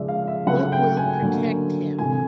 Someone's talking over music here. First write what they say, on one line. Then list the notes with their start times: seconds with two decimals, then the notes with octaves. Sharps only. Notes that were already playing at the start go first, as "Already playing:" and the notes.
What will protect him?
Already playing: C#3 F3 G#3 D5 E5
0.08 F5
0.28 E5
0.46 C#3 F#3 A3 F#5
0.72 G5
0.97 G#5
1.22 D3 F#3 A#3
1.98 C3 E3 A3 G#5